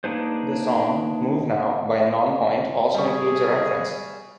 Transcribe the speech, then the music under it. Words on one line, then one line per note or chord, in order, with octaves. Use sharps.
The song "Move Now" by Nonpoint also includes a reference.
A#3 D4 D#4 G#4 B4 C5
G3 G#4 C#6